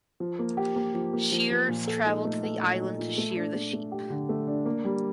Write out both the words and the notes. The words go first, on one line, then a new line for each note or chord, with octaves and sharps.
Shearers travelled to the island to shear the sheep.
F3
A#3
G4
A#3
F3
A#3
F3
F3
A#2
A4
D#4
A3
A4
A#2
D#4
A#2
A3
D4
A3
A3
G4
D3
A3
D4
A#3
G3